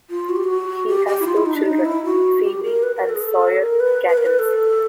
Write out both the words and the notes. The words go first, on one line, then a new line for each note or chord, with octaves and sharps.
He has two children, Phoebe and Sawyer Katims.
F4
F#4
G4
F#4
G4
G4
E4
F4
E4
D#4
D4
D#4
E4
F#4
G4
A#4
B4
A#4
A4
G#4
A4
A#4
B4
B4
A#4
B4
A4